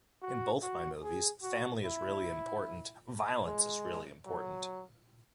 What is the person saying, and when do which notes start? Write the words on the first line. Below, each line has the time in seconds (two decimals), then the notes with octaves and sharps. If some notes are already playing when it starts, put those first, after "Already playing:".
In both my movies family is really important, violence is really important.
0.22 F#4
0.62 F#4
1.03 G#4
1.43 F#4
1.84 E4
3.46 G#3
4.27 F#3